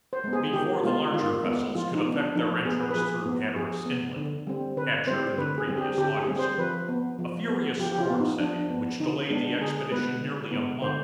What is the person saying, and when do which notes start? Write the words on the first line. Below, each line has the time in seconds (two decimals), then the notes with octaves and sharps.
Before the larger vessels could effect their entrance through Hatteras Inlet, captured in the previous August, a furious storm set in, which delayed the expedition nearly a month.
0.13 C5
0.24 G#3 B3
0.33 G#4
0.53 D#3 G4
0.84 G#3 B3 F4
1.14 D#3 F4
1.44 G#3 B3
1.75 F3 F4
1.95 D#4
2.05 B3
2.15 D4
2.35 F3 D#4
2.65 B3 G#4
2.80 B4
2.91 B4
2.95 F3 G#4
3.26 B3
3.56 F3 G#4
3.86 B3
4.16 D3
4.47 G3 C4
4.77 D3 B4
5.07 G3 C4 C5
5.38 D3 B4
5.58 G#4
5.67 G3 C4
5.78 G4
5.98 D3 G4
6.18 G#4
6.28 G3 C4
6.39 C5
6.58 F3 B4
6.89 B3
7.19 F3
7.49 B3
7.79 F3 G4
7.92 G4
8.00 F4
8.10 B3
8.20 D#4
8.40 F3 D4
8.70 B3
9.00 D3 D#4
9.30 G#3 B3 D4
9.61 D3 G#4
9.91 G#3 B3 B4
10.21 D3
10.51 G#3 B3
10.82 D3 C5